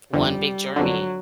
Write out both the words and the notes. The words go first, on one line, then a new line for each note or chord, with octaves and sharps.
one big journey.
G1 F2 D3 G3
G1 F2 D3 F#3